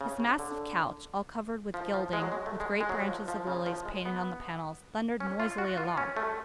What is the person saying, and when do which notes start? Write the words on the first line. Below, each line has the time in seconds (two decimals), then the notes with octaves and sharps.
His massive coach, all covered with gilding, with great branches of lilies painted on the panels, thundered noisily along.
0.01 C#3
0.20 C#3
0.39 D3
1.74 F3
1.94 F3
2.13 G#3
2.22 F#3
2.32 G#3
2.46 A3
2.60 G#3
2.81 G#3
2.89 F#3
3.08 F3
3.28 F3
3.47 C#3
3.66 F3
3.85 G#3
4.05 B3
5.20 C#4
5.40 F4
5.58 F#4
5.77 F4
5.97 C#4
6.17 A3